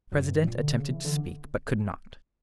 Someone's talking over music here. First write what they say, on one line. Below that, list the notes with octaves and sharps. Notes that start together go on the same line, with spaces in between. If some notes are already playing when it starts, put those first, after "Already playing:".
The president attempted to speak, but could not.
F#2
G2
A#2
D3
C#3
E3
D3